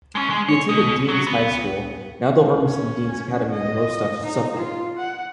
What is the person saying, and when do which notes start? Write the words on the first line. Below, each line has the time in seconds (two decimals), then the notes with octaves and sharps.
He attended Denes High School, now the Ormiston Denes Academy in Lowestoft, Suffolk.
0.15 G#3 C#4
0.30 G#3
0.48 C#5
0.69 B2
1.09 F#3 F#4
1.27 B3
2.66 C#4
3.51 D#5
4.24 D#4
4.56 F4
4.97 F#5